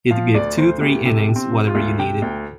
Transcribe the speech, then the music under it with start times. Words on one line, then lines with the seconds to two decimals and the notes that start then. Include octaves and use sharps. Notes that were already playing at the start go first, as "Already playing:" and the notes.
He'd give two, three innings - whatever you needed.
0.11 F3 F5
0.34 D2 D5
0.57 D2 C5
0.81 D2 G4
1.05 C3 A3
1.29 C3
1.36 C4
1.51 C3
1.67 F4
1.75 D2
1.99 C3 G5
2.22 D2